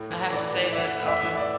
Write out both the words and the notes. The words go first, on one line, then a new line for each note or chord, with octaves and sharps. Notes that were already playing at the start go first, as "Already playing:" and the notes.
I have to say that, um,
Already playing: A2
E3
E3 D5
E3
E5
E3 F#5
A2
E5
E3
D5